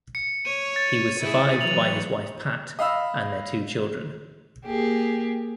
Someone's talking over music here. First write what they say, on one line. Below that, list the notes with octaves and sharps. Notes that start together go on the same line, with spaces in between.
He was survived by his wife Pat and their two children.
C#7
C#5 D#7
A6
E4 G#4
E3 F#3 F7 F#7
D#5 F5 B5 E6
A#3 G4 G#4